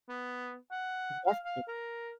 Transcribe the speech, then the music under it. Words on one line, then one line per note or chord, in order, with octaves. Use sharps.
That's good.
B3
F#5
F5
F5
A#4